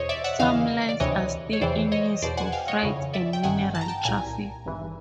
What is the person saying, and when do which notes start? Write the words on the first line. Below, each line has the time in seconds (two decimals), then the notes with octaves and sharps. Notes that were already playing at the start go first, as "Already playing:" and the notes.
Some lines are still in use for freight and mineral traffic.
Already playing: E2 B2 C5 C#5 D#5
0.09 D5 E5
0.24 E5 F#5
0.39 E2 C#3 E3 D#5 F5
0.89 D5
1.00 D2 C3 E3 C#5 D#5
1.53 C#5
1.61 E2 C3 E3 C5 D5
1.92 C#5 D#5
2.22 E2 B2 C5 D5
2.37 F#5 G#5
2.52 F5 G5
2.68 C#5 D#5
2.83 F2 C#3 E3
3.13 D5 E5
3.33 G5
3.43 A1 G2 D#3 F#5 G#5
3.75 A5
3.81 A#5
3.88 G5 A5
4.04 C2 A#2 G#5 A#5
4.65 G#1 G2 E3